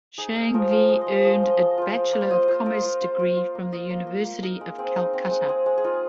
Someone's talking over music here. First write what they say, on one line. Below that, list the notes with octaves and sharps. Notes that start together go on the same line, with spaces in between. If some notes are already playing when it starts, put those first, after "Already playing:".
Shanghvi earned a Bachelor of Commerce degree from the University of Calcutta.
D#4 G#4
D#4
F3 A#4
F3 F5
G#3 C5
D#5
G#3
C5
F3 D#5
C5
F3 D#5
F4 C5
D#5
F4 C5
F4
A#3
C5
F4 D#5
F4 C5
F4 A#4
F4
F4 C5
F4
F4
A#3
F4 D#5
A#3
A#3
A#3
D#4 A#4
G#3
C4 G#4
D#4
C4
G#3
C4 G#4
G#3
G#4
D#4 F4